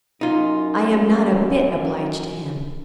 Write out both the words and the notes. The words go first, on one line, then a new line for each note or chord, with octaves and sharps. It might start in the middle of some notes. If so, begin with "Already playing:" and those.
I am not a bit obliged to him.
F#2 D#4 F4